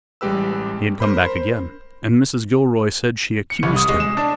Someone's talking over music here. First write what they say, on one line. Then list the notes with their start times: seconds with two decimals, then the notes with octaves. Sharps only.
He had come back again, and Mrs. Gilroy said she accused him.
0.21 A1 G3 G#3 G4 B4 E6
1.00 A#4 C5 B5
3.50 C#7
3.63 C2
3.76 D#6
3.89 G#3
4.00 E7
4.17 D4